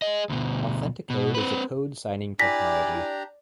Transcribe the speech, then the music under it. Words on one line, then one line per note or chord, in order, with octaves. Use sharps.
Authenticode is a code signing technology.
G#4 D#5
D2 B2
B2
C4 B4
D4 E4 G4 D5 G#5 A#5 A#6 B6